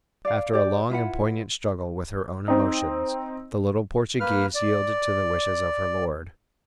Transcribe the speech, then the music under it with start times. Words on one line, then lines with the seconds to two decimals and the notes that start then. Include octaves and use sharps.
After a long and poignant struggle with her own emotions the little Portuguese yielded to the wishes of her lord.
0.25 D5 F5
0.53 G4 D5
0.90 E4 F4 B4 F#5
2.48 C4 D#4
4.20 A#3 B4 F6
4.55 D5